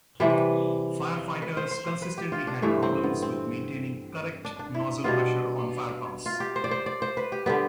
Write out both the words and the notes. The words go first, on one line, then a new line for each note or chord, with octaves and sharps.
Firefighters consistently had problems with maintaining correct nozzle pressure on fire pumps.
C3 E3 G3 B4
B4
C5
C5
C5
B4
G4
F4
D4
G2 E3 A3 D4
C4
B3
C4
D4
D4
E4
B2 G3 B3 F4
F4
G4
C5
D5
C5
D5
C5
B4
G4
D3 G3 B3 G4